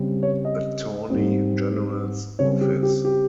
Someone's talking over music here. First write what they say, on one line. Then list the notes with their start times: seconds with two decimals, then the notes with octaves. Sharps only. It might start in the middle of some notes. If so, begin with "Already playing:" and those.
Attorney General's office.
Already playing: C#3 G3 C4
0.23 C#5
0.45 D#5
1.10 G#2 G3 C4
2.39 C#3 G3 C4 C#5
2.61 G4
2.83 G4
3.05 G4